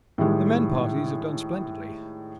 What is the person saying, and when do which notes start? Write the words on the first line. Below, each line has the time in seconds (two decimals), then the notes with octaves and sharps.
The men parties have done splendidly.
0.18 A2 D#3 G3 G#3